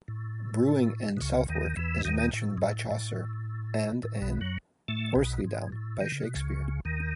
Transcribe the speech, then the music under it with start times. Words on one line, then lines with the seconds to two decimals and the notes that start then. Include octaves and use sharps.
Brewing in Southwark is mentioned by Chaucer, and in Horselydown by Shakespeare.
0.08 A2
1.17 B2
1.21 C#2 C#3
1.49 D#2 D#3
1.77 E2 E3
2.05 D#2 D#3
2.33 A2
2.58 G#2
2.62 A2
2.91 A2
4.03 A2
4.21 B1 B2
4.41 F#2 F#3
4.88 A2 A3
5.15 B1 B2
5.44 G#2
5.72 A2
6.01 D#3
6.12 C#3
6.23 B2
6.35 C#2 C#3
6.85 D#2 D#3